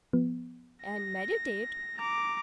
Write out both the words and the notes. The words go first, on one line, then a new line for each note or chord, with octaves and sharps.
'And meditate?
F3 B3
A#6
A#5 D6